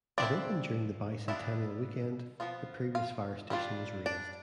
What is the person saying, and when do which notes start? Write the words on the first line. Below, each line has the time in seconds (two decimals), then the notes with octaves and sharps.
It opened during the bicentennial weekend; the previous fire station was razed.
0.18 F3 C4 D4 E4 D5
1.28 G3 B3 D4 E4 F4 E5
2.40 F3 B3 F4
2.95 F4 F5
3.50 G3 D4 F4
4.06 D4 D5